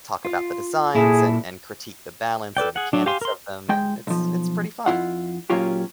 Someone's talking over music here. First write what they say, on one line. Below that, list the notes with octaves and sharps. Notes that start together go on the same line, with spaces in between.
talk about the designs, and and critique the balance and mechanics of them, and it's it's pretty fun.
F4
A#2 E4 G#4 A4
A4 B4 D5 G5
G#4 F#5
F#3 D4
G4 F5 G#5 C6
A#4 C6
G#3 G5
B1 F3
F2 E4 F4 F#5
A#2 F#3 A#3 C#4 F4 G4